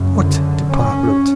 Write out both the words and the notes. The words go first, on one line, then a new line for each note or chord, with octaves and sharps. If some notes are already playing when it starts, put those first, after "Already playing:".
"What department?"
Already playing: F#2 C#3
D3
C#4